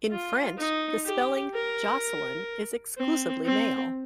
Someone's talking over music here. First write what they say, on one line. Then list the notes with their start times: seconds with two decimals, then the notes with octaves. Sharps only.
In French, the spelling "Jocelyn" is exclusively male.
0.10 F4
0.58 D#4
1.06 G4
1.54 A#4
2.97 C4
3.45 C4